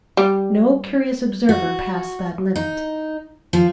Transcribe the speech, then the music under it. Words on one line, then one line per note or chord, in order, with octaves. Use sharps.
No curious observer passed that limit.
G3
F#4
D#4
F3